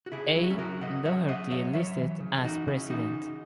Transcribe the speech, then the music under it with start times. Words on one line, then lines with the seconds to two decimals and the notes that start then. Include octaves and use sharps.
A. Dougherty listed as President.
0.06 F#4
0.12 C#3 E4 G#4
0.36 F#3 E4
0.44 F#4
0.50 C#4 E4
0.58 C#3 F#4 A#4
0.81 C#3 D#5 F#5
1.05 F#3 C#5 E5
1.28 C#3 D#5 F#5
1.51 F#3 C#5 E5
1.74 F#3 C#5 E5
1.98 E3
2.20 C#3
2.44 E3 D#4 F#4
2.67 C#3 C#4 E4
2.90 E3 D#4 F#4
3.13 C#3